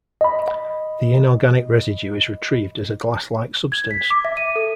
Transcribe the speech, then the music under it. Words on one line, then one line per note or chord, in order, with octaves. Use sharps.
The inorganic residue is retrieved as a glass like substance.
D#5 B5
G#6
B6
D6
E5
D#7
A4